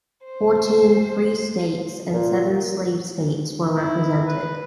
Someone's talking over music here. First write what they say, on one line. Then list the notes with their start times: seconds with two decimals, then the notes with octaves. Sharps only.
Fourteen free states and seven slave states were represented.
0.24 C5
2.13 A#2
3.73 E4
4.27 B4